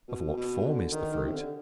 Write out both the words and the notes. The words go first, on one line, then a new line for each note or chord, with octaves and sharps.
Of what form is the fruit?
B2
B2
D3
D#3
D#3
C3
D3